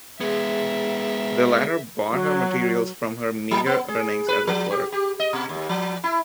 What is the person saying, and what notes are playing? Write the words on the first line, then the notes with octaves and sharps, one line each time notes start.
The latter bought her materials from her meager earnings as a clerk.
G#3 B3 G#4 E5
F#3
F#3
B3
G#4
B4
F3
G4
G4
D#5
B2
D#2
F3
E4